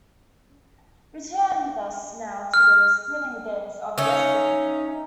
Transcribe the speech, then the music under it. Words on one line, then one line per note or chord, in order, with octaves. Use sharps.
Return with us now to those thrilling days of yesteryear!
F6
C#4 D#4 C#5 E5 E6